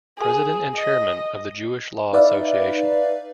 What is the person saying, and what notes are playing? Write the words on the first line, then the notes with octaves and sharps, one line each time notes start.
President and Chairman of the Jewish Law Association.
G#4
D#5
D#4 B4 D5 E5 F5